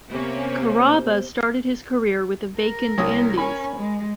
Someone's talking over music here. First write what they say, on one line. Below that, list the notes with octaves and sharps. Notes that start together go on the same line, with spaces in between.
Carrabba started his career with the Vacant Andys.
C3 A#3 B3 C#4 G4 C5
A#4
C2 C#5 D#6
C#4 A#4 G#5 B5
G#3